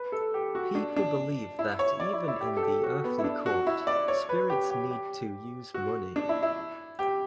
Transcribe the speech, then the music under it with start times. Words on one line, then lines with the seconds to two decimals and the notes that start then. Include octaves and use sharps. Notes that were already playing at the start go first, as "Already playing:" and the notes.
People believe that even in the earthly court, spirits need to use money.
Already playing: B4
0.12 A4
0.34 G4
0.55 F#4
0.75 D4
0.96 D4
1.59 E4
1.79 C#5
2.00 D5
2.13 E4
2.28 E4
2.41 G4
2.57 A4
2.63 G4
2.84 F#4
3.04 B3
3.19 E4
3.24 D4
3.46 F#4
3.67 E4
3.87 D5
4.08 C#5
4.29 B4
4.50 G4
4.70 G4
4.91 G4
5.74 F#4
6.16 D4
6.29 E4
6.43 E4
6.99 G4